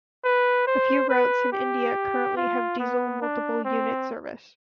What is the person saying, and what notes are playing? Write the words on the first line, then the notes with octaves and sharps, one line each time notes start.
A few routes in India currently have Diesel multiple unit service.
B4
C5
B4
G4
F4
B3
D4
C4